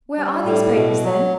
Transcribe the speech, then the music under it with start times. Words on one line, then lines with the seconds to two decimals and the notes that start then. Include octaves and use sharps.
"Where are these papers, then?"
0.17 G3
0.45 A2
0.75 B2
1.04 F#3